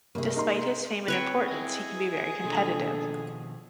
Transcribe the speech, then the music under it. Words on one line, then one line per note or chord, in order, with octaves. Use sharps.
Despite his fame and importance, he can be very competitive.
G2 C3 A#3 G#4
D#4 A#4 C6
C4 B4 C#5 G5
E4 G#4 D#5
B2 D#3 F3 A#3 D4 A4